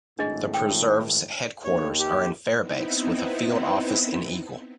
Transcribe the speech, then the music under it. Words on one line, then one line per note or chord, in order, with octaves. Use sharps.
The preserve's headquarters are in Fairbanks with a field office in Eagle.
G#1 F#2 A2 D4 G#4 D#5
G5
D#2 C#5
G4
B3 C4 D#4 E4